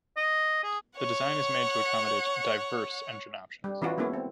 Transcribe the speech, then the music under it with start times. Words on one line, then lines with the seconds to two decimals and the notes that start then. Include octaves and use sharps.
The design is made to accommodate diverse engine options.
0.17 D#5
0.64 G#4
0.97 C#5 F#5
3.64 G3
3.82 E3 C#4 F4 F#4
3.98 G#3 A#3 B3 C#4 E4
4.13 C4